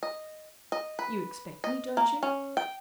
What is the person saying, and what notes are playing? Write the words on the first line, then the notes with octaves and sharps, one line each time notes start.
'You expect me, don't you?'
D#5
D#5
B4
D#5
A#3
C#4
G5